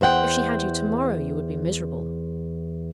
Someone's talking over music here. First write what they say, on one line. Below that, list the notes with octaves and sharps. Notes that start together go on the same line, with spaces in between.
If she had you to-morrow, you would be miserable.
E2 C5 F#5 G5